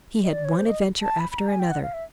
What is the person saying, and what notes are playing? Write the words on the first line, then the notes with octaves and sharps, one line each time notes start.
He had one adventure after another.
D#5
D5
C#5
C5
D#5
A5
B5
B5
A#5
G#5
G5
F#5
F5
E5